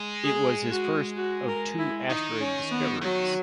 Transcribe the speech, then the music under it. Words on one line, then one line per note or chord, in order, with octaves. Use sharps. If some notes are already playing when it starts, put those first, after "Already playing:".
It was his first of two asteroid discoveries.
Already playing: G#3
G#4
F#4
F#4
A#4
E4
D#3 D#4
C#4
B3
D#3 F#3